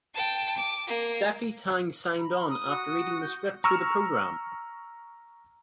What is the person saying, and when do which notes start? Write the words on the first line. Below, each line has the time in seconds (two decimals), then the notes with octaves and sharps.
Stephy Tang signed on after reading the script through the program.
0.14 G5 A5
0.57 D6
0.87 A#3
2.17 A#5 B5
2.49 D#6
2.65 F#4
3.21 G6
3.64 A#5 C#6 E6 F6